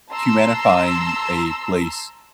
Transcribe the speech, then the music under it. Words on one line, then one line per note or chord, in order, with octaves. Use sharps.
humanifying a place
A5 A#5 C6 E6